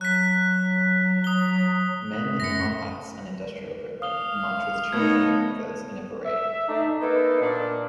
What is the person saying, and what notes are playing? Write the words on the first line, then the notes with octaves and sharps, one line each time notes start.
Men in hard hats and industrial equipment march with children and others in a parade.
F#3 F#6 B6
D#6 G7
F#2 A#6 C#7
F5 D#6 G7
A3 B3 D#4 B4 C#5 G#6
E5
A3 D4 D#4
A#3 B3 D#4 A4 B4 D#5
A#2 D4